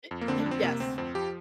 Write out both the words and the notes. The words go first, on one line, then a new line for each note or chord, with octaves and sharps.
Eh y yes.
F2
A#3
D3 C4
D4
F2
C4
C3 A#3
D2 C4
F2 C4
F3 G4